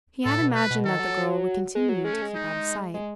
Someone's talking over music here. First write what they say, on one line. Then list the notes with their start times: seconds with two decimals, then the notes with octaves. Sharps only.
He had imagined that the girl would continue to keep out of sight.
0.25 A2 A4
0.40 B2
0.55 B4
0.70 B2
0.85 D#3 A4
1.00 F#3
1.15 F#3
1.75 G#3
1.89 F#3
2.04 G#3 C#4
2.13 A3
2.22 G#3
2.35 D#4
2.94 G#3